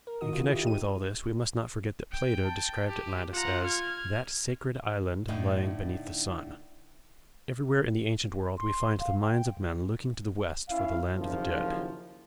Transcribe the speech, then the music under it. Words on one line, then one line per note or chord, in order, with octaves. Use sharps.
In connection with all this we must not forget that Plato described Atlantis as "that sacred island lying beneath the sun." Everywhere in the ancient world we find the minds of men looking to the west for the land of the dead.
A#4
B2 D#3 D#4 F#4 D#6
F4 F#4
E4 G4
D#4 D#7
G5
A5
G4
F4 F#5 A#5
F6 G#6
A2 D3 D#4
C6
F5
G5
C#4 E4 E5 F5
F#1 D#2 F3